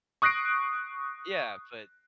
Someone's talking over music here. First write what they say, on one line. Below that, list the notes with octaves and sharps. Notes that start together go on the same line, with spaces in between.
Yeah, but
C#6 D#6 F#6 A#6 C7 D7